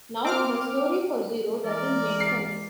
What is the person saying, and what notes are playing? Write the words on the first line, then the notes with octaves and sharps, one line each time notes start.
Now my story for Zero doesn't make sense!
C4 D6 F6
E3 G#3 A#4 D5
C7